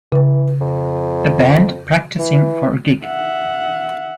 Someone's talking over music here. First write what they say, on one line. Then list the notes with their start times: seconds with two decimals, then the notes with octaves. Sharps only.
A band practicing for a gig.
0.12 C#3 E3 B4
0.61 F2
2.19 E3
3.04 E5 F#5